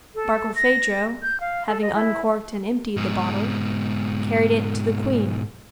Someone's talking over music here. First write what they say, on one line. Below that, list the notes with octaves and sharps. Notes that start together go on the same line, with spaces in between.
Barkilphedro, having uncorked and emptied the bottle, carried it to the queen.
A4
A#6
G6
F5
A4
D#5
E4
G#2 B2